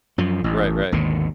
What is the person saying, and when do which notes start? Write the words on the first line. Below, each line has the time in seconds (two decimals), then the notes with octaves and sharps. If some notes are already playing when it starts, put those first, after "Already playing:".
Right, right.
0.18 F#2 F3
0.44 A1
0.92 G#1 D#2 B2 D3